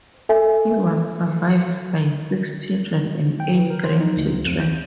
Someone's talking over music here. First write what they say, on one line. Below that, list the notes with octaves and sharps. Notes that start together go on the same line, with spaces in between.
He was survived by six children and eight grandchildren.
A4 E5 G#5
G5
E3
A#4
C5
D#4
D2
C#2
F2
G6